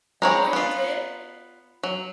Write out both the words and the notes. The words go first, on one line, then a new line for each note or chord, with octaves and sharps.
Oh, you did?
G#3 C4 C#5 A#5 B5
B3 F4
F#3